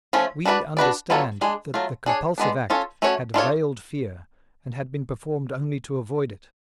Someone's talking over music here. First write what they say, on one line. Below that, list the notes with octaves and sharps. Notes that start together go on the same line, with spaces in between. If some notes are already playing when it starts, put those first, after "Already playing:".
We understand that the compulsive act had veiled fear and had been performed only to avoid it.
F3 A3 C#4
D4 F#4 B4 D5
D4 F#4 B4 D5
F#3 B3 F4 A4 C#5
G#3 D4 G#4
F#3 A3 F4
D4 G#4 C#5
G#3 B3 D4
C#4 F4 A4 C#5
A3 C#4 F#4 C#5
D4 F4 A4 C#5